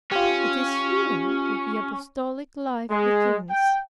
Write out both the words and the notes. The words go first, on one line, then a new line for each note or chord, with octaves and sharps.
It is here that the apostolic life begins.
C#4 F4 G4
G#3
G5